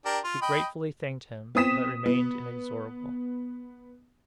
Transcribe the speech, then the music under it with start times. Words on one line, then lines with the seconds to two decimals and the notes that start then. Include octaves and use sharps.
She gratefully thanked him but remained inexorable.
0.05 D4 G4 A#4
0.24 F4
0.42 D#5 G5 B5
1.55 B3 C4 D#6 B6 E7
2.06 B3